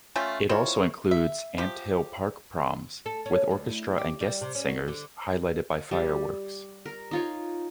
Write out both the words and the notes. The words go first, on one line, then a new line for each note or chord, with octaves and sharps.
It also includes "Ampthill Park Proms", with orchestra and guest singers, highlighted by fireworks.
A3 C#4 F4 G5
C4 E4 F4 C#5
E5
F3 G4
A4
C#4
D2
E4
G4
G3
C3
C#4
F#4
D3
G3
A#4
D#4 F4 C#5